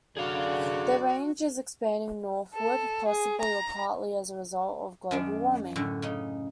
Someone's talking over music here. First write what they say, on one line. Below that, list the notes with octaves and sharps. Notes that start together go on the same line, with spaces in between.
Their range is expanding northward, possibly or partly as a result of global warming.
F#2 D3 F#4 G#4 D5 F5
A4
G#4
A#5
F#2 D#3 D4
F#2 A2 D3
C#3 D#4